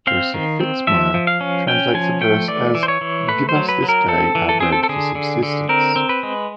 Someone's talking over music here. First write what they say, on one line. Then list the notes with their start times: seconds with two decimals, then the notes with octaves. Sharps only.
Joseph Fitzmyer translates the verse as give us this day our bread for subsistence.
0.07 C4 F5
0.34 D#3
0.61 C4
0.87 F3 E5
1.14 F3
1.27 F5
1.41 C#4
1.67 C#4 G5
1.94 F3 G#5
2.21 A3 G5
2.48 E3 D5
2.75 E3
2.83 C5
2.88 C#5
3.01 E3
3.28 A3 B4
3.49 C5
3.55 F#3
3.69 B4
3.83 F#3
3.89 A#4
4.08 C4 A4
4.35 E3
4.49 A4
4.60 C4 G#4
4.72 A4
4.83 A4
4.89 D3 G#4
5.15 D3
5.43 D3
5.69 C4 A#4
5.96 C4
6.09 B4
6.23 G#3